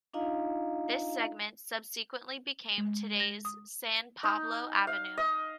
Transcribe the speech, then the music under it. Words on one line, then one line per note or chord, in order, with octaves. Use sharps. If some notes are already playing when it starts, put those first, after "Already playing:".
This segment subsequently became today's "San Pablo Avenue".
D4 D#4 F4 D#5 F5 A#5
G#3
A#6
D#6
D#4
F5
D#5